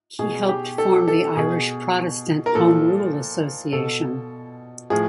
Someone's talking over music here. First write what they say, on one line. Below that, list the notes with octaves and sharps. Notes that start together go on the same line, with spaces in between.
He helped form the Irish Protestant Home Rule Association.
B2 G#4
G4
A4
A4
B2 G#4
A#4
A#2 F3 A4
B2 A4
A2 F3 G#4